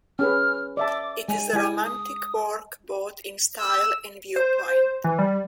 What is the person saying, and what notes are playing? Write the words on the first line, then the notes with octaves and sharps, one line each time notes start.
It is a romantic work, both in style and viewpoint.
C#4 G#4 B4 F6
D5 E5 A5 D6
G#3 G#5
G#3 E4 G#5
D#6
E6
C5
E3
G3